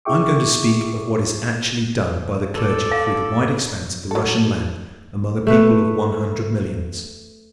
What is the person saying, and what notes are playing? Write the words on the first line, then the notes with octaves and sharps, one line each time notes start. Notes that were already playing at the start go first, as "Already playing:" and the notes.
I am going to speak of what is actually done by the clergy through the wide expanse of the Russian land among a people of one hundred millions.
E4 G#4 E5 G5 C#6 D6
A4 D5
F5
F#3 A4
A3 B4